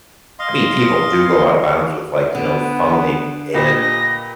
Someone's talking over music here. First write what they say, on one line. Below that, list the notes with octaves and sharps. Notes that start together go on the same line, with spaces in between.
I mean, people do go out of bounds with, like, you know, foaming and,
D#5 F5 C6
D3 B3
A#2 G4 B4 D#5 A#6